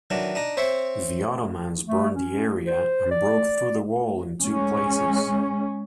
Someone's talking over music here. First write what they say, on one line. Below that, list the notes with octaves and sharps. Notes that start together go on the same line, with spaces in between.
The Ottomans burned the area and broke through the wall in two places.
D#3 E3 F#3 D4
D4 D#4 D#5
C4 C5 C#5 E5 C6
A3
C#4
C5
D5
G#3 C#4